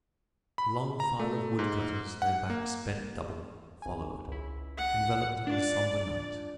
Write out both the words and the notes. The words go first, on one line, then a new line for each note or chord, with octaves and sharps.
A long file of woodcutters, their backs bent double, followed, enveloped in the somber night.
B5
A#5
A3
G#2
F#5
A#3
G#1 G#5
C#2 E4
F#5
D4 F4 D5